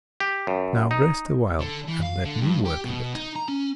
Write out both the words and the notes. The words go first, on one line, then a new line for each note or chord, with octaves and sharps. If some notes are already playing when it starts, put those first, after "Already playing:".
"Now rest awhile-and let me work a bit."
G4
F#2
D#4
D3
E3
F5
D3
G2
G4
B2
D#4
A#5
C#4